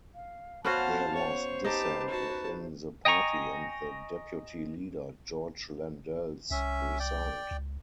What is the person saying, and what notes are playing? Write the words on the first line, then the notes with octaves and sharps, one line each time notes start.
There was dissent within the party and the deputy-leader George Landells resigned.
F5
B3 C#4 F#4 C5 F5 A5 C#6
C5 C#5
D#4 G4 B4 A5
F#4 A5
D#5 G5 G#5 A#5 C#6
C2 C#4 E5
D5 G5
C#2